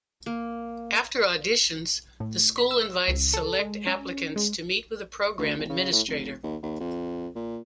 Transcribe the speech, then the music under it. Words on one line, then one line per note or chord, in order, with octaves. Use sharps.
After auditions, the school invites select applicants to meet with a program administrator.
A#3
A2
B5
E6
C#2
A4
G#3
C#4
G#3
D2
E1
C#3
A2
F1
D#2
D#2
F2
A#2